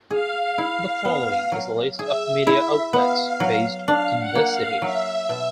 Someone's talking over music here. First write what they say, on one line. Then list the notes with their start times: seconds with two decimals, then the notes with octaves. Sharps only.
The following is a list of media outlets based in the city.
0.11 G#4 F5
0.58 E4
1.05 B3
1.52 F#3
1.99 G#4 E5
2.46 E4 E5
2.93 B3 F5
3.40 F#3
3.88 D4 F5
4.19 F#5
4.35 A#3
4.51 F5
4.82 F#3 E5
5.29 B2